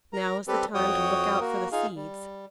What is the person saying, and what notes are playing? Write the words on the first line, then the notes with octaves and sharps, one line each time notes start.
Now is the time to look out for the seeds.
A#4 A#5
G3 C4 G4 A4 B4
F2 F#4 C#5 G5 D#6
A#3 F#4 A#4
D#4 F4 G#4 F5
G3